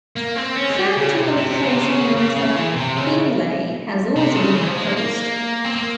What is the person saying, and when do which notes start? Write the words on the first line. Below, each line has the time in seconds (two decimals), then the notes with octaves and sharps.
Further triplication north of Beenleigh has also been proposed.
0.17 A#3
0.37 C4
0.56 C#4
0.70 G#3
0.77 G3
0.97 C#3
1.17 C3
1.36 C3
1.49 C3
1.63 C#3
1.72 C3
1.81 C#3
2.17 C#3
2.36 C#3
2.56 E3
2.76 C3
2.96 C#3
4.16 C3
4.36 C#3
4.55 E3
4.67 F3
4.76 G#3
4.86 A#3
4.96 A#3
5.65 C4
5.76 A#3